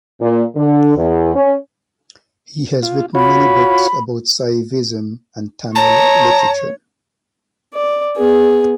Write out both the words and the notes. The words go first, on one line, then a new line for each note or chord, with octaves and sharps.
He has written many books about Saivism and Tamil Literature.
A#2
D3
E2
C#4
F4
F4 F#4 C#5 B5
C#5 A5 A#5
D5
B3 G#4